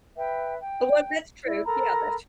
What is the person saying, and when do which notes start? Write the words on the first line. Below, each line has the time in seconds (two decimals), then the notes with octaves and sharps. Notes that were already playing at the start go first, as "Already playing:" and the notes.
Oh well, that's true, yeah, that's tr
0.17 B4 E5 G5
0.60 G5
1.46 E4 D5
1.65 A4 A#4 A#5 B5